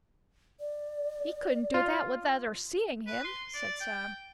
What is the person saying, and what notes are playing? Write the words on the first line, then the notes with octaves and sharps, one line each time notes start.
"He couldn't do that without our seeing him," said Sam.
D5
F4
B4
C6
D5
G5